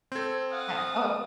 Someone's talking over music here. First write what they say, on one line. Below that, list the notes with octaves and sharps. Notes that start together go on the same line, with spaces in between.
Uh oh.
C4 A4 C5 G#6
F5 F#5 D#6